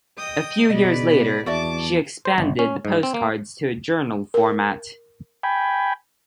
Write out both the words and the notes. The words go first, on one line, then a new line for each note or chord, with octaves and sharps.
A few years later, she expanded the postcards to a journal format.
D#5 G5 D#6
B2 G#4 B4 D5 D#5
E2 F#4 D5 E5 A5 D6
C5
G1
C#4
G#2
C4
A#3
A#4
G5 G#5 B5